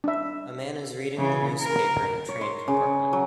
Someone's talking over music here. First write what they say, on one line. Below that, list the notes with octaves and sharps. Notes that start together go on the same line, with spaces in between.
A man is reading the newspaper in a train compartment.
D4 E5
C#3 E3
A#4
C#5
C6
C#3
F#3